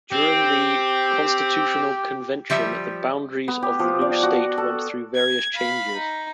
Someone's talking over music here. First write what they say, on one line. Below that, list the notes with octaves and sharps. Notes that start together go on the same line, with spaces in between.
During the constitutional convention the boundaries of the new state went through various changes.
C4 G4
F3 G3 E5
B3
G4
F3
D5
F#4
A4
G#6
F5 B5
D#4